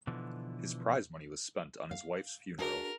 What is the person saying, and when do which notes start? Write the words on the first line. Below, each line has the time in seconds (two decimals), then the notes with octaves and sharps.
His prize money was spent on his wife's funeral.
0.07 B2 D3 E3 F3
1.91 F5
2.59 D4 F#4 G#4 A#4